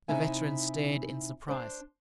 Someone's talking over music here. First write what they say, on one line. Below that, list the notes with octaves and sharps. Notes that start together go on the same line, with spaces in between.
The veteran stared in surprise.
C3 D#4 E4 E5 G#5
D4 C5